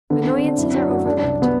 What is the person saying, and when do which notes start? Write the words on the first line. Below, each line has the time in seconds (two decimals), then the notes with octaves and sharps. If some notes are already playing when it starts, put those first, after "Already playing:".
Annoyances are overlooked.
0.10 D3 B3
0.22 C4
0.26 D3
0.34 C4
0.42 D3 D4
0.58 F#2 E4
0.74 F#3 D4
0.89 F#2 F#4
1.06 F#3 D4
1.17 D4
1.22 C2
1.42 B3